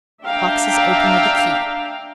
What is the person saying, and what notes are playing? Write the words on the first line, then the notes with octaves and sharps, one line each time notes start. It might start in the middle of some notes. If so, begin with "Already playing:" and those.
Boxes open with a key.
D4 E5 F5 G5 A#5